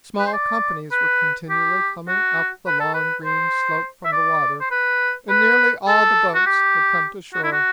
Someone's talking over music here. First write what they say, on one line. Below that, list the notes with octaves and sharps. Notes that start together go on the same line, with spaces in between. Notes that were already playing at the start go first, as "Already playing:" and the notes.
Small companies were continually coming up the long green slope from the water, and nearly all the boats had come to shore.
B4
C5
D5
B4
G4
F#4
B4
A4
B4
C5
E5
D5
C5
B4
B4
A4
F#4
G4
F#4
E4
F#4